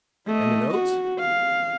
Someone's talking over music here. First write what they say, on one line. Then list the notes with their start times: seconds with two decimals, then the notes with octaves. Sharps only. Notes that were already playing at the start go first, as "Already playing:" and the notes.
"And the notes?"
0.27 A3 D#5
0.75 F#4
1.20 F5